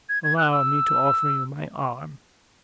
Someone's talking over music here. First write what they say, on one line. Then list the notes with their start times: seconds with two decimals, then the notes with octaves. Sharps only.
Allow me to offer you my arm.
0.09 G#6
0.24 G#6
0.37 F#6
0.52 E6